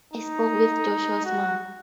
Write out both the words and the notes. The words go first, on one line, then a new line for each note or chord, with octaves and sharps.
I spoke with Joshua’s mom.
D#4
F#4